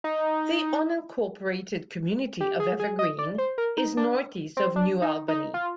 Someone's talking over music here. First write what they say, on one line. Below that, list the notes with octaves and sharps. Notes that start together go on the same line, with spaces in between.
The unincorporated community of Evergreen is northeast of New Albany.
D#4
G4
G#4
G#4
D#5
D5
C5
A#4
D#4
D4
C4
D4
D#4
D#4
F4